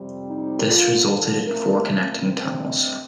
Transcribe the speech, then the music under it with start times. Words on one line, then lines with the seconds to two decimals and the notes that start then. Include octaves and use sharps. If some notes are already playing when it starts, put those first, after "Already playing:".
This resulted in four connecting tunnels.
Already playing: F2 C3 G3 C4
0.26 D#4
0.66 D3 F3 A#3 F4
1.05 A4
1.45 A#2 A3 C4 A#4
2.22 G2 D3 A3 C4
2.62 D#5